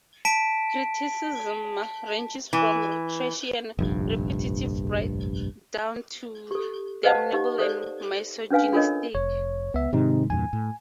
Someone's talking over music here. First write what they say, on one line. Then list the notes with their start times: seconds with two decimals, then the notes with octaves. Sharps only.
Criticism ranges from trashy and repetitive right down to damnable and misogynistic.
0.25 A5 B6 D7
2.53 E3
3.79 F1 A#1 G2
6.51 G4 A4
7.04 B4 C5 D#5 F5 F#5 A5
7.33 D#4 G4
7.58 A4 C5 D5
8.50 C#4 D4 B4 F5 G#5
8.72 D4 F4 A4 A#4 C#5 D#5
9.15 F1 C#5
9.74 C#2 B3 E5
9.93 G#2 C3 D#3 C4 D#4
10.30 E2 G2 A#2 G#5
10.53 A2